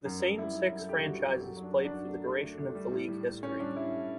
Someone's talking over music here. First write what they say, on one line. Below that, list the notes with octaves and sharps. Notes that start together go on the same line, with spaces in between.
The same six franchises played for the duration of the league history.
F#2
F#2
G3 E4
F#2
F#2
A4
D3 G4
G3 F#4
F#2 G4
F#3 A4
F#3
D4
F#3
D4
F#3
A3
A3
A3
A3
G3
A2
G3
A2
A2 C#4
G3 D4
G3 E4
A2